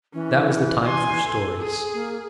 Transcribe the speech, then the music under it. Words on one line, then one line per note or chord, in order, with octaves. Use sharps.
That was the time for stories.
E3 C#4
G#5 C6
A4
G#4
A#3